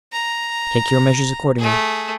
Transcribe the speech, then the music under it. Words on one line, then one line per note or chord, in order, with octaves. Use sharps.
Take your measures accordingly.
A#5
A3 G#4